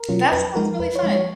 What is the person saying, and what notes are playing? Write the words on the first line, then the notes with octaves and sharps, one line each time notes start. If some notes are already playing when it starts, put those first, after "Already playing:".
That sounds really fun.
Already playing: A#4
B2 F#3 C#4 F4
F2 B4
F3 G#3 D#4 A#4
F2 B4
C#5
F3 G#3 D#4
C#5